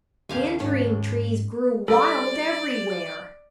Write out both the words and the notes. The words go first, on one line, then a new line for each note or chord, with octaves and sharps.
Tangerine trees grew wild everywhere.
D#2 C#3 G4 F5 G#5
G#2 C#4
G3 A4 D5